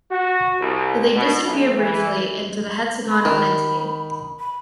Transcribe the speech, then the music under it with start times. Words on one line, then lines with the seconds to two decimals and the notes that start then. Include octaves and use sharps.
They disappear briefly into the hexagonal entity.
0.11 F#4
0.59 C2
1.15 B2
1.46 B1
1.78 E3
3.10 B5
3.25 D#3
4.40 B5